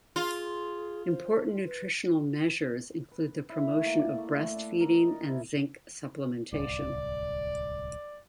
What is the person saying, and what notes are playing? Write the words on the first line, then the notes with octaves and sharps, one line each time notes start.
Important nutritional measures include the promotion of breastfeeding and zinc supplementation.
F4 G#4
C5
B4
B4
E4
A3
A#3
D5
A3
E4
D4
A#4
D#5
D5
E4
D1 C2 D5